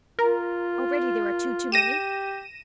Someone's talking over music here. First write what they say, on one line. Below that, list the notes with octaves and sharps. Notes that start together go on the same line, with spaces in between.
Already there are two too many.
F4 A#4
G4 A#6 D#7 E7